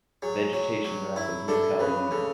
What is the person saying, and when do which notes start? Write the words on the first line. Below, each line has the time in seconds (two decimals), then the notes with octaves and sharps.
Vegetation map of New Caledonia.
0.22 F#3 G#4
0.53 F#3
0.85 F#3
1.16 E4
1.48 D4 A4
1.80 C#3 B4
2.11 C#3 A4